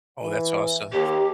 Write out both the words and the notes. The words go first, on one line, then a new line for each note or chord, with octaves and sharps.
Oh, that's awesome.
E3
D#2 G4